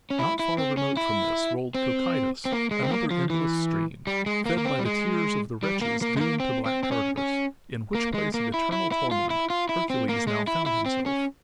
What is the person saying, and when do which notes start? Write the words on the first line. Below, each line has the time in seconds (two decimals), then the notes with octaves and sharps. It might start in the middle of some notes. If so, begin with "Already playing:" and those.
Not far remote from this rolled Cocytus, another endless stream, fed by the tears of the wretches doomed to Black Tartarus, in which place of eternal torment Hercules now found himself.
0.10 C#4
0.19 E4
0.39 E4
0.58 C4
0.77 C#4
0.97 E4
1.75 C4
2.45 C4
2.52 A#3
2.71 G#3
2.83 C4
2.91 A#3
3.11 F3
3.30 E3
4.07 G3
4.26 G#3
4.46 A#3
4.57 A#3
4.65 C4
4.79 G3
4.85 G#3
5.63 G3
5.82 A#3
6.02 A#3
6.17 G#3
6.21 A#3
6.40 C4
6.66 C4
6.83 C4
6.92 C#4
7.18 C#4
7.95 A#3
8.14 G#3
8.34 A#3
8.54 E4
8.72 E4
8.92 E4
9.11 F4
9.30 E4
9.50 F4
9.69 E4
9.90 C4
10.09 A#3
10.27 G#3
10.47 E4
10.66 E4
10.86 C4
11.06 C#4